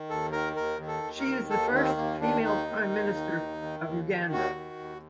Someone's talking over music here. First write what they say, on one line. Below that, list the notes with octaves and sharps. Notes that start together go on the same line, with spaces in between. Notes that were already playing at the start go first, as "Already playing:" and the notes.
She is the first female prime minister of Uganda.
Already playing: D#3
D#2 A4
D#3 A#4
D#2 A#4
D#3
A4
D#2
A#4
D#3
D#2 A4
D#3 C4
D#2 A#3
D#3 D4
D#2 D#4
D#3
D#2
D#3
D#2
D#3
D#2
D#3
D#2 F#4
D#3
D#2